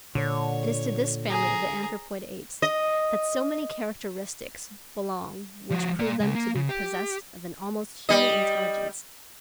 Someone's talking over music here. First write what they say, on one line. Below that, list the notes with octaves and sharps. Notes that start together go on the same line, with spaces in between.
It is to this family of the anthropoid apes that so many characteristics belong which prove them to be possessed of an almost human intelligence.
A#2 D3 C#5
G#4 A#5
D#5
F3 F#4
A#3 D5
C#3 G#3
A#3
C#3
G4
G3 D#5